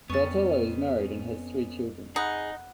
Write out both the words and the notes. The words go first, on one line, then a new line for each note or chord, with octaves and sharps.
Bartolo is married and has three children.
F2 B3 C#4 C#6 A6
D#4 G#4 F#5 B5 F#6